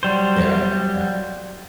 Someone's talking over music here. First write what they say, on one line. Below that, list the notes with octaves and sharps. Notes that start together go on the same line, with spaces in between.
Yeah, yeah.
F#3 G3 C5